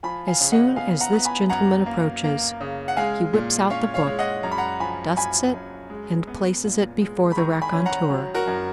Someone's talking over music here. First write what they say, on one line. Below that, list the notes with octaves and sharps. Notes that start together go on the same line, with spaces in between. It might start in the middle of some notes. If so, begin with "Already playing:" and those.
As soon as this gentleman approaches, he whips out the book, dusts it, and places it before the raconteur.
F3 G#5 B5
F5 G#5
C#3
D#5 F#5
B3 F5 G#5
F#5 A#5
B3
G#5 B5
F#2 F#5 A#5
A#3
A#3
C#3
F#5
G#3 F5 G#5
A#2
C#4 C#5 F5
C#5 F5
G#3
D#5 F#5
F#2 A#5
B5
F#5 A#5
F3 G#5 B5
F#2 G#5 B5
F#2
G#3
B3
A#2
G#3
B5
D#3 A#5 C#6
G#5 B5
C#4
F#5 A#5
F#3
F#4 A#4
F#2